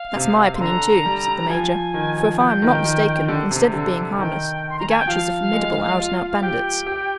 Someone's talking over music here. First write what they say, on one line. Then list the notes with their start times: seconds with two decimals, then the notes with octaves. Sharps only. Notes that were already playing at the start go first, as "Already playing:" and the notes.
"That's my opinion too," said the Major, "for if I am not mistaken, instead of being harmless, the Gauchos are formidable out-and-out bandits."
Already playing: F5
0.15 C3
0.55 C6
0.60 D3 A#5
1.05 G3
1.49 F3 G#5
1.94 D#3
2.18 F3
2.33 G#5
2.39 F3 G5
2.62 D#3
2.85 D#3
3.28 D3
3.51 C3
3.74 D3
4.19 D#3 G5
4.70 C6
4.79 A#5
4.89 G#5
4.99 G5
5.07 F3 F5
5.53 G#3
5.97 F4
6.30 F5
6.42 G4 G5
6.86 G4